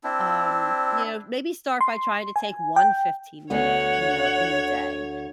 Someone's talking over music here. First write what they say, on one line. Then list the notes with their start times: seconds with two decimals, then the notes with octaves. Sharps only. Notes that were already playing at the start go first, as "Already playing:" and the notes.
um, you know, maybe start by trying to take one fifteen-minute, you know, in the day,
0.04 C4 D4 E4
1.81 C6
2.36 G#5
2.76 G5
3.50 D2 D3 B3 C#5 F#5